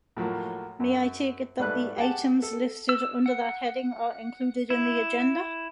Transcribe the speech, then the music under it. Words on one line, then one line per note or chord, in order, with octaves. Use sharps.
May I take it that the items listed under that heading are included in the agenda?
A2 F3 F#3 A#3
F#2
G#2 G3 A3 B4 F#6
G4 G#4 F#5 G5 A5
A4
E6
F#5
E4